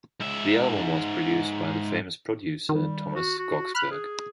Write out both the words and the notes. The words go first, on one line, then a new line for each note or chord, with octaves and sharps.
The album was produced by the famous producer Thomas Skogsberg.
G#2 E5
D#3 G3
F#4
F#4
B5 F6 F#6
G#4